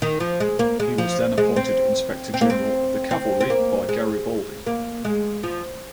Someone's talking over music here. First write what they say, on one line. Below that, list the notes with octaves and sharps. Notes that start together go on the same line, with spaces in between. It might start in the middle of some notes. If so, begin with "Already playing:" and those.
He was then appointed inspector general of the cavalry by Garibaldi.
D#3
F3
G#3
A#3
G#3
F3
G#3
C4
C4
A#3
C4
C4
C4
A#3
G#3
A#3
G#3
F3